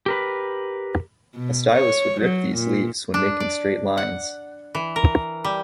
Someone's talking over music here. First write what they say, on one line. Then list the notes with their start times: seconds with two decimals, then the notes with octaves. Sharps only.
A stylus would rip these leaves when making straight lines.
0.06 G4 A#4 B4
1.35 B2
1.72 C#5
2.21 F#3
2.56 A#2
3.14 D4
3.40 D5
3.98 F#5
4.75 E3
4.96 A#4
5.44 G3